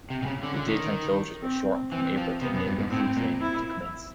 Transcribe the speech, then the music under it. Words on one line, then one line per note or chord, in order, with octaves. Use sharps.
The daytime closures were shortened from April to enable crew training to commence.
C3
C3
C#3
D3 C#4
D3
D#3
C4
E3 C4
F3
C3 B3
F#2
G2
G#2
A2 C4
A#2
E4